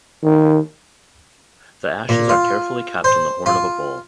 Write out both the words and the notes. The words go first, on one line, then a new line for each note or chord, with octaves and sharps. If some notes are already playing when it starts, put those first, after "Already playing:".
The ashes are carefully kept in the horn of a bull.
D#3
A#2
F4
C5
F4